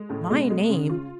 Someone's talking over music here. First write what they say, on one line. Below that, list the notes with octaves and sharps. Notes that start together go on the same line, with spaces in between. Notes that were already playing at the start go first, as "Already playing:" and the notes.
My name!
Already playing: G#3
A2 C#3
B2 G#3
G#3
C#3 C#4
F4